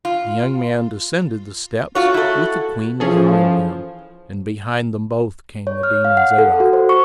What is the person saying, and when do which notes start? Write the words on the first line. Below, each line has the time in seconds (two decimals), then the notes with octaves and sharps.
The young man descended the steps with the queen behind him, and behind them both came the Demon Zadok.
0.05 F4
1.95 A3 F4 F#4 C#5
2.14 E4 A4
3.00 E3 F3 C#4 G#4 A4
5.67 C#5
5.83 F6
6.05 F5
6.17 F#5
6.38 A4
6.60 F#4
6.73 C5
6.89 C#6